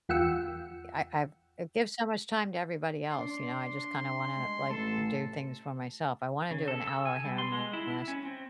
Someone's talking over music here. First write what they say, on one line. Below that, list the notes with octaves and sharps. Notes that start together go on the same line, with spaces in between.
I I've I give so much time to everybody else, you know? I just kinda wanna, like, do things for myself. I wanna do an aloe hair mask.
E2 F4 F#5 G5 E6 C#7
D4 C6
G#3
A1 A4
C#3
A4
E6
G#5
G3
C6
G#3
E4
E4
C#4
C4